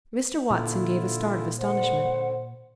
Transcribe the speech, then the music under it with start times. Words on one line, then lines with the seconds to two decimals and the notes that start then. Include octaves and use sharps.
Mr. Watson gave a start of astonishment.
0.51 A#2 D3 E4 F4
1.60 D3 C5 F#5